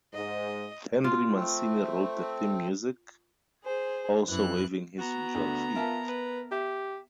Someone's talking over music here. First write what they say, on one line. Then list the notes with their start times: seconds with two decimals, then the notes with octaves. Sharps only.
Henry Mancini wrote the theme music, also waiving his usual fee.
0.14 G#2 D#5
1.04 F4
1.35 A3 C4
3.63 G#4 C5
4.27 F#2 E3 F#6
4.98 B3 F#4 A#5
5.35 D2
5.75 F4 A#4 E5 A5
6.09 B4
6.52 G4 E5